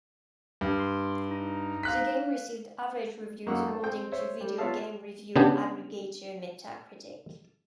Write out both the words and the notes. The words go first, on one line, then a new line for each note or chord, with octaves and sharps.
The game received "average" reviews according to video game review aggregator Metacritic.
G2
C6
D#4
F5 F#6 B6
F#2 A#3 D#4 F#5 C#6 E6
A3
C4 G5
C5 C#5 E5
G3
B3 F4 C#5 E5 F5 A5
C#3 B3 D4 G4